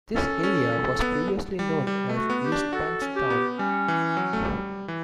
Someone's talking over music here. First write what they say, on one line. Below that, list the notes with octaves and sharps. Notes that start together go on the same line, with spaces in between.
This area was previously known as East Bankstown.
C#4 A4
C#4
C#4
B3
G3
G3
A3
F#4
B3
G4
D4
F#4 A4
C#4
G4
B3
G3 C#4
E3
F#3
A3
G3
E3